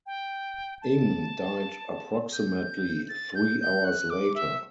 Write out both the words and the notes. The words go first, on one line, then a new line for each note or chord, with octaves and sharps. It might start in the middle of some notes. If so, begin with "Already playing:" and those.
Eng died approximately three hours later.
G5
A5
G6
A6
G6
G6
F#6
D6
E5